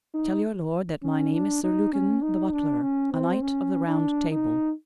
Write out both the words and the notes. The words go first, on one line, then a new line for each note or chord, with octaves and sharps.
Tell your lord that my name is Sir Lucan, the butler, a Knight of the Round Table.
D#4
C#4
D4
D#4
C#4
D#4
D4
C#4
C4
C#4
D4
D#4